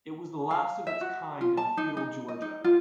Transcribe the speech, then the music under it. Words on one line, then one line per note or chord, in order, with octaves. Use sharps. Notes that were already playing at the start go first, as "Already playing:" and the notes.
It was the last of its kind in feudal Georgia.
F5
E5
F#4
F4
A5
D#4
D#4
D#5
D#4
F4